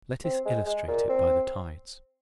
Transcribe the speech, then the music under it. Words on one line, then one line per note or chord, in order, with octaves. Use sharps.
Let us illustrate it by the tides.
C4
G#3
G#3
A#2
C4